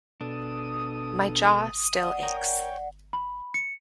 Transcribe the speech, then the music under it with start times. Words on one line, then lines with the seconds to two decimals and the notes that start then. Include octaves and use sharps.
My jaw still aches.
0.21 B2 D4 A4 D#6
1.99 D5 F#5
2.23 A#4 C#5 G5
3.13 B5
3.54 C#7